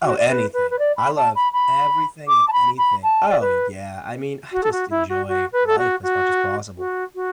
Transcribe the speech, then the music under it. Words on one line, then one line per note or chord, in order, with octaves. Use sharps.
Oh, anything. I love everything and anything Oh, yeah, I mean, I just enjoy life as much as possible.
F#4
D5
B4
B4
B4
D5
B5
A5
B5
B5
D6
A5
B5
B5
A5
D5
B4
F#4
A4
F#4
E4
F#4
F#4
B4
A4
F#4
F#4
F#4
F#4